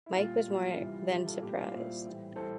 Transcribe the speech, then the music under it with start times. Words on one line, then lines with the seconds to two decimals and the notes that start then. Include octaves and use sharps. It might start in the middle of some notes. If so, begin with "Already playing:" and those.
Mike was more than surprised.
0.06 E4
0.17 A#2 G3 F4
0.48 A#2 G3
0.80 C3 E3 G3
1.11 C3 E3 G3 E4 G4
1.26 F4 A4
1.42 A#2 G3 E4 G4
1.58 D5 F5
1.73 A#2 G3 C5 E5
2.05 A2 E3 G3
2.36 A2 E3 G3 A4 C5